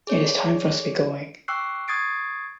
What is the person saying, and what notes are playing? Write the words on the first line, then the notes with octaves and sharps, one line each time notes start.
It is time for us to be going.
G#4 C#5 D5
G5 C#6 D6 E6 F#6 C7
C#6 D#6 G#6 A6 C7 D7